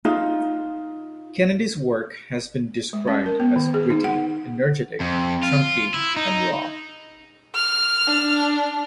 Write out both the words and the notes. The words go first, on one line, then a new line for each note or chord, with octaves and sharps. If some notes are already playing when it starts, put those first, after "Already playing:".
Kennedy's work has been described as gritty, energetic, chunky and raw.
D#4 F4
G#3
C#4
A#4
B3
D#3
G#4
D#4
F#5
F2
F4
E4
D#4
F6
D4